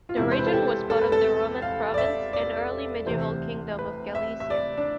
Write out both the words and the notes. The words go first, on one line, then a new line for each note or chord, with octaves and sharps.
The region was part of the Roman Province and early medieval Kingdom of Gallaecia.
F4
E1 E2 C3 E4
C5
B4
A4
G4
A4
B4
A4
F5
D5
E5
D5
D2 C3 E3 C5
B4
E5
E5
D5
D4